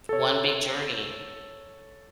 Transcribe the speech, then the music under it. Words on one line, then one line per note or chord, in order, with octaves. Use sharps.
one big journey.
A4 C#5